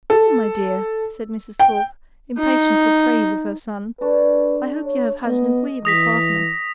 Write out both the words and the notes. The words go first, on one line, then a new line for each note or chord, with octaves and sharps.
"Well, my dear," said Mrs. Thorpe, impatient for praise of her son, "I hope you have had an agreeable partner."
A4
G5
D#4
D4 A4 B4 C#6
C#5
B3 D#5
E3 D#6 A#6 B6